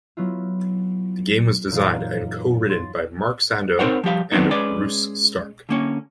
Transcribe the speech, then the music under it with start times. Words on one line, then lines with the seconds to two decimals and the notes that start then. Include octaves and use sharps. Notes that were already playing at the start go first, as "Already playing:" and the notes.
The game was designed and co-written by Mark Sandau and Russ Stark.
0.17 F#3 B3 E4 F4
1.71 F#2 A#2 E3 D#4 F5
2.69 C6 A6
3.79 C4 D#4 A#4 C5 C#5 F#5
4.04 F3 G3 G4 F5
4.32 D#3 F#3 B3 C4 D4 D#4
4.51 G#3 C#4 B4 D5
5.69 D3 A#3 C#4